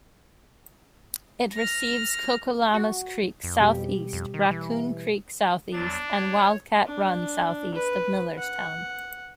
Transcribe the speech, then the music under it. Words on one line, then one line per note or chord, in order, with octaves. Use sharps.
It receives Cocolamus Creek southeast, Raccoon Creek southeast, and Wildcat Run southeast of Millerstown.
F6 A#6
F#4
F2
B2 G3 G4
F2
D#3
E3
E2 F#3 D4 A6
C#5
D4
B4
F#5